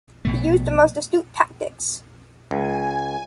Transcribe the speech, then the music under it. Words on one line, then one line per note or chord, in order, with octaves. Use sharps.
He used the most astute tactics.
A#1 B2 A3
C#2 G#5